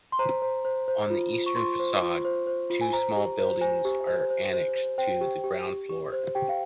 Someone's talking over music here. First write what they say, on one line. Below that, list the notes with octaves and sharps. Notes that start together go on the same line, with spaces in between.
On the eastern façade, two small buildings are annexed to the ground floor.
C6
C5 A#5
C5
C5
C5
F4
F4
C#6
F4 C6
C5
F4
C5
C5
F4
G#5
C5 A#5
G4
C5
C5 G#5
G4
C5
C5
C5
C5
C5 G5
G4
G4
G4
G4
C5
G4 G5
F5